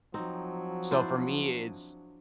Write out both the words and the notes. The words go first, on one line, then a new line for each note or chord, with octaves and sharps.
So for me, it's
F3 F#3 C4 D#4
D4 E4 C5